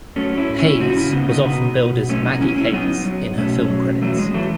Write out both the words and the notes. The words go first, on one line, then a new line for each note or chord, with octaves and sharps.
Hayes was often billed as Maggie Hayes in her film credits.
F#3 A3 C#4
C#4 E4
A2
C#4 E4
C#3 D#4 F#4
D#4
C#4 E4
C#3 B3 D#4
B3 D#4
B2 B3 D#4
B2
F#3 A3 C#4
B3 D#4
F#3 C#4 E4
C#4 E4
F#3 B3 D#4
F#3
B2 A3 C#4
F#3
E3 F#3 A3
G#3
E3 F#3 A3